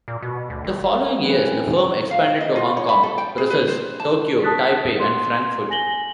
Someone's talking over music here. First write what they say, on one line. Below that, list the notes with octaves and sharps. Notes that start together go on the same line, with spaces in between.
The following years the firm expanded to Hong Kong, Brussels, Tokyo, Taipei, and Frankfurt.
A#2
B2
D2
G1
E3 F#3 C4 C#4 B4
F5
D#5
F4
C#5
B5
A4
G5
G#4
B4
C5
A5
A5 D#6 F#6 A6 B6
C6
G#5 A#6 F#7 G7